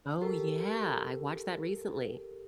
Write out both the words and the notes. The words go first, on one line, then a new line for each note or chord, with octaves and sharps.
Oh yeah, I watched that recently.
G4 A4 A#4